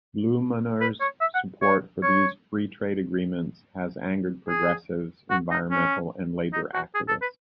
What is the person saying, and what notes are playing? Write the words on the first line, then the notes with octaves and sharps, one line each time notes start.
Blumenauer's support for these free trade agreements has angered progressives, environmental and labor activists.
B4
C#5
E5
F#5
C#5
C#5
G#4
F#4
D#4
C#4
D#4
F#4
G#4
A4
B4